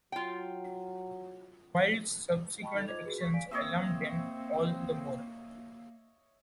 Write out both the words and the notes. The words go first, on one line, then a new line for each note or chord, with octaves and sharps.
Wild's subsequent actions alarmed them all the more.
F#3 F4 G5
D#5 G5 A5 B5 C#6
D#4 A4
F4 C5 D#5 D6 G#6 F7
F#4 G#4 B4
C#6 B6
D5 F5 G#5 B6 D7
A#3 C4 C#5 D#5 E5